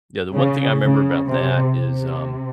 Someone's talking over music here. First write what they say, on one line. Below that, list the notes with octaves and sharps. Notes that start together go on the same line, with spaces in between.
yeah, the one thing I remember about that is, um,
C#3
C#3
C3
C3